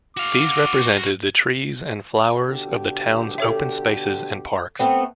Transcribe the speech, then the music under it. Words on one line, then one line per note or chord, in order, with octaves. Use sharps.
These represented the trees and flowers of the town's open spaces and parks.
F#4 F5 D6
B2 D3 G4
A4 C#5 E5
A3 B3 C4